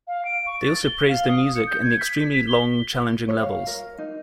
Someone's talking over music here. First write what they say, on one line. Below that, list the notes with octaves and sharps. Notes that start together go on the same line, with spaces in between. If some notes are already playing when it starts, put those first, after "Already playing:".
They also praised the music and the extremely long, challenging levels.
F5
D7
C#6
A6
G7
F5
D#6
C#7
G6
G#6
B6
G7
C#5
F5
A#4
D#4